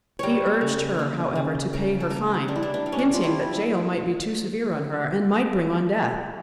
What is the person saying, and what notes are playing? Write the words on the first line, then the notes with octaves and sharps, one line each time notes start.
He urged her, however, to pay her fine, hinting that jail might be too severe on her and might bring on death.
G3 A#4 C#5
C#3
A#3
C#3
C#3 A#4
A4
A#3 A#4
G3 D4
E4
D4
D4
G3
C#4
D4
F4
G3 E4